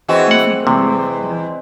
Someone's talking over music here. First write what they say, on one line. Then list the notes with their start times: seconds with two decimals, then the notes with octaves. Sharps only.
you think, "Oh, we've you know,
0.08 E3 G#3 B3 C4 F#4
0.31 F#5
0.67 E2 C3